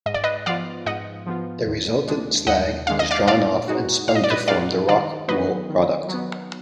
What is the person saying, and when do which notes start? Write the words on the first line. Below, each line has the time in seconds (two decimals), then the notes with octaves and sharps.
The resultant slag is drawn off and spun to form the rock wool product.
0.06 G#2 D#5
0.14 D5
0.24 B4 D#5
0.46 F3 B3 F4 D5 F5
0.86 G#2 D#5 F#5
1.26 F3 B3 F4
1.67 D#2
2.08 D#3 G#3 D4
2.47 D#2 D#5 F#5
2.87 D#3 G#3 D4 F5
2.99 D#5
3.11 D5 F5
3.27 A#2 D5 F5
3.68 G#3 D#4 F#4
4.08 A#2 F5
4.15 D#5
4.24 D5
4.30 B4 D#5
4.48 G#3 D#4 F#4 D5 F5
4.88 D#3 D5 F5
5.28 F#3 B3 B4 D#5
5.69 D#3
6.08 F#3
6.14 B3